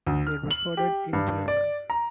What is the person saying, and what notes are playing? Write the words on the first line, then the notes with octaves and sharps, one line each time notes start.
They recorded in German.
D2
F6
F#7
G4
G2
D5
A#5